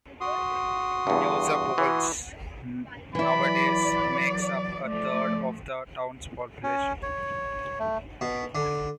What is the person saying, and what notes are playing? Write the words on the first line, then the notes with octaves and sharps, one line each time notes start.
Neugablonz nowadays makes up a third of the town's population.
F#4 C6 D#6
E2 G2
E3
E3 F#3 E4 D5 B5
F3 A3 D5
C#4
C#5
A3
B2
D3